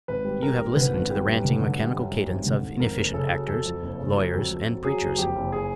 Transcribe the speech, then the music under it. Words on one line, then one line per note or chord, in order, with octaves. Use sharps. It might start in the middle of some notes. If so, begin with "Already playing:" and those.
You have listened to the ranting, mechanical cadence of inefficient actors, lawyers and preachers.
G#1 B4
G3
G3 A#4
G#1
D3 B4
G#1
G3
F#2
D3
D3
G3
F#2
G3
G#1
D3
G#1
F2 A#4
F#1
C#3 A4
F#3
F2 A4
F2
F#1
C#3
F#3
F2
F2
F#3
F#3 G#4
F#1
F2 G4
F#1
G#4